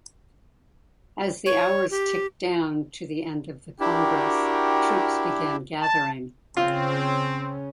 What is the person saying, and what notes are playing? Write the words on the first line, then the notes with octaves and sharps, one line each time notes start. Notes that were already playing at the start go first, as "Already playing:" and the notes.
As the hours ticked down to the end of the Congress, troops began gathering.
C#5
G4
D4 E4 F#4 G4 A#4 G5
A5
C#3 C4 C#4 F4